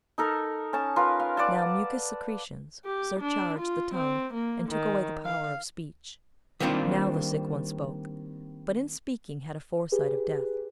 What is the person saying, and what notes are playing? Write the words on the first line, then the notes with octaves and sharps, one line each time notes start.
Now mucous secretions surcharged the tongue, and took away the power of speech; now the sick one spoke, but in speaking had a foresight of death.
D#4 A4 A#4
C#4 A5
F4 A#4 B4
F5
D5 F#5 A5
G4
D4
F4
C4
A#3
D#3
F5
D#3 G3 A#3 C4 D4 F4
G4 G#4 B4